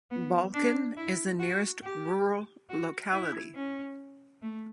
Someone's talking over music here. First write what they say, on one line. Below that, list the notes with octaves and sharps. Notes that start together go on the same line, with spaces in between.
Balkan is the nearest rural locality.
B3
D4
E4
F#4
G4
F#4
E4
C#4
A3